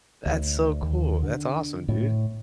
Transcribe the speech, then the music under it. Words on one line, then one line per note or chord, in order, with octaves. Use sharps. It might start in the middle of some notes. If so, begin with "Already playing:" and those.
That's so cool. That's awesome, dude.
D2
D#2
D3
A2